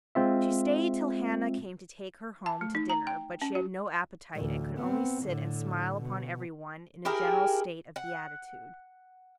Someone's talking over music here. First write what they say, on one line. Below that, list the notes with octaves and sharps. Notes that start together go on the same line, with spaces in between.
She stayed till Hannah came to take her home to dinner, but she had no appetite, and could only sit and smile upon everyone in a general state of beatitude.
G#3 C4 F4 E5
A5
A3
D#4
A#5
G5
C#4
F#4
A1 D2
B3 C4
A2 D3
B2
E4 G4 G#4 A#4
F#5